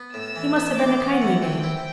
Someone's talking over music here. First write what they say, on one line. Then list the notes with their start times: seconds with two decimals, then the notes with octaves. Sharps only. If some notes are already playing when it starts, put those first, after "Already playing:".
"He must have been a kindly man!"
Already playing: B3
0.13 A2 E6
0.36 E3
0.56 B3
0.78 E3 D6
1.00 B3
1.11 F#5
1.22 E3
1.42 C4 G5
1.64 E4